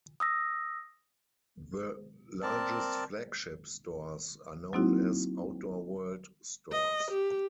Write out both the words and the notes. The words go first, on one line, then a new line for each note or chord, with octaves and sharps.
The largest flagship stores are known as Outdoor World stores.
D#6 E6 A#6
C4 A#4 D5 A5
F#3 A#3 C4 D#4 E4 F#4
D#5
G4